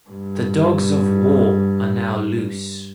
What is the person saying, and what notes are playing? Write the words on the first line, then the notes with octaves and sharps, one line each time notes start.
The dogs of war are now loose.
G2